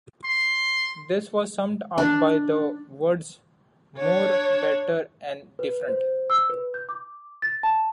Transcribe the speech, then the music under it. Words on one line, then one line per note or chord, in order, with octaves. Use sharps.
This was summed up by the words "more, better and different".
C6
D4
D4 C#5
B4
C5
E6
B4
G6
D6
A6
A5